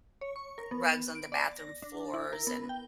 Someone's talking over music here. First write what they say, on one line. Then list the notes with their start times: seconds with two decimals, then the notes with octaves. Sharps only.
rugs on the bathroom floors and,
0.21 C#5
0.36 C#6
0.58 A#4
0.71 B3
1.15 D7
1.32 D5
1.57 A#6
1.82 D4
2.14 E4
2.33 A#4
2.47 B3
2.69 G5